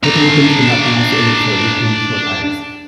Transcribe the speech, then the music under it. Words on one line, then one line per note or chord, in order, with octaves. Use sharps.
Puerto Ricans could not pronounce the 'h' so it became short eyes.
D4 A#5